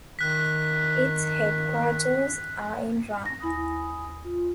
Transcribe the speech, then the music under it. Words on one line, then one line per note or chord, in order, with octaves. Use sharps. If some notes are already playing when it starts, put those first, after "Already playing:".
Its headquarters are in Rome.
D#3 F#6 B6
A#6
D#2 E4 G#5 B5 D#6
F4